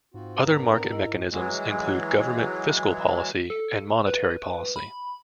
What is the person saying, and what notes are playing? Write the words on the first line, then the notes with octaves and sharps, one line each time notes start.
Other market mechanisms include government fiscal policy and monetary policy.
G#2 C4 F4 F#4
G#2 B3 C4 D4 A#4
E4 D#5
E3 F#3 G#3
A4
B4
B5